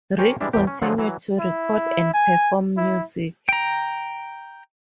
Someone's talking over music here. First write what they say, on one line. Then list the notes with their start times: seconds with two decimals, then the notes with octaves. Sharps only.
Rick continued to record and perform music.
0.18 G4 A#4 C5 C#5 G5 G#5
0.41 E3 G3 G#3 D4 E4
0.53 E2 A2 G4
0.67 C#4
0.82 D3 F3 F#3 A3 F4 G#4
0.98 E3 F#3
1.39 E4
2.14 G#5
2.77 E4
3.49 G5 A#5